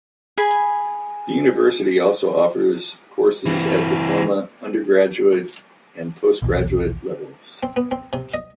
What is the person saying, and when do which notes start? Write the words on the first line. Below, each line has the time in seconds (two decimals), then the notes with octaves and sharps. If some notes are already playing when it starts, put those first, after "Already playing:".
The university also offers courses at Diploma, Undergraduate and Postgraduate levels.
0.37 G#4 G#5 B5
3.46 E3 C4
6.42 A#1 D#2 B2 E3
7.63 C4
7.76 B3
7.91 C4
8.13 C3
8.34 D#5